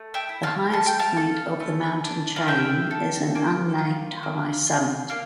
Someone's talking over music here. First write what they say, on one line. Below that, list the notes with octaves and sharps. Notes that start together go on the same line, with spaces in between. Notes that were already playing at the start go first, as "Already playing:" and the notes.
The highest point of the mountain chain is an unnamed high summit.
Already playing: A3
E5 G5
E4
F5 A5
A3 A5
G5
F5 A5
A4
A3
D4
F5
A#3 E5 G5
A4
A#3
F4
A#3
F4
A#3 F5